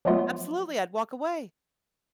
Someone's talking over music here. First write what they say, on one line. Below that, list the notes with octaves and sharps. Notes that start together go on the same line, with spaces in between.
Absolutely, I'd walk away.
F3 F#3 G#3 A3 B3 F4